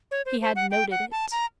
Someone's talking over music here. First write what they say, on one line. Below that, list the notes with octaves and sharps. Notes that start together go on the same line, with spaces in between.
He had noted it.
C#5
C5
C5
F#5
G5
F#5
A5
A#5